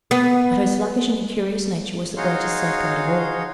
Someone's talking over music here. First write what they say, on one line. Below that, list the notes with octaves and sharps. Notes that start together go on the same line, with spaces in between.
But her sluggish and incurious nature was the greatest safeguard of all.
B3
D#4 F#4 G#4 C#5 F5 C6